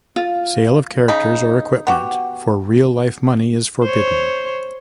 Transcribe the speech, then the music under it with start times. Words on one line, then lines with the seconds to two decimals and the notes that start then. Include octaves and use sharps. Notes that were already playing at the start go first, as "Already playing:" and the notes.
Sale of characters or equipment for real life money is forbidden.
0.16 F4
1.08 C#3 D#4 B5
1.87 B3 F#4 G4
3.83 C5 C#5